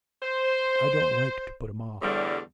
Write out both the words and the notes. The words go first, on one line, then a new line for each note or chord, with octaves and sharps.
I don't like to put him off.'
C5
E2 A2 D3 G3